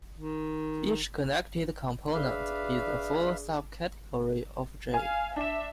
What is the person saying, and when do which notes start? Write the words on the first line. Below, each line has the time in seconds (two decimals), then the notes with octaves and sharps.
Each connected component is a full subcategory of "J".
0.14 D#3
2.14 D4 G#4 B4 E5 F5
4.94 F5 G#5
5.36 D4 E5 E7